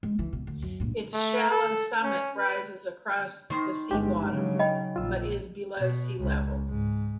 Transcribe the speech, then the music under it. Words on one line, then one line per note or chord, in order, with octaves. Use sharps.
Its shallow summit rises across the sea bottom but is below sea level.
G#3
E3
B2
D2
F#2
A#1 G2
A3
A4
C#4
B4
D#3 C5
G1 G#3 D4 G4
C#3 F#3
D#5 G5 B5
A#1 A#2 F4 E6
B2
C#2
G#2